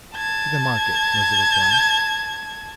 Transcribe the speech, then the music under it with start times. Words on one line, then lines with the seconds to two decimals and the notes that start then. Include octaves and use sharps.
'To the market,' was the reply.
0.14 A5 G#6